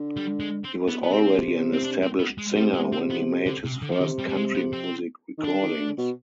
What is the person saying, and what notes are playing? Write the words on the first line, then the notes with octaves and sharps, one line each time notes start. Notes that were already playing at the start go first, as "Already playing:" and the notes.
He was already an established singer when he made his first country music recordings.
Already playing: D3
G3
G#3
C4
B3
B3
C3 C4
C4
D4
C4
B3
G#3
B2
C3 G3
G#3
C4
B3
D3
C3
D3
F3
C3 D#3
G3
G3
G#3
B3
C4
D#3
D3 D4
D#3
D3
B2